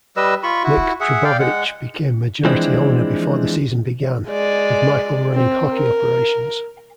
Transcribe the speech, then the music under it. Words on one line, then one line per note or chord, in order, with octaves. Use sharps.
Nick Trbovich became majority owner before the season began, with Michel running hockey operations.
G3 B4 D#5 E6
F4 B5 C#6
E4 F#4
G#4 E5 F#5
D5 F5 G5
G#3 F#5
E3 F3 G#3 C4 D4 E4
G#3 D5
C4
A#4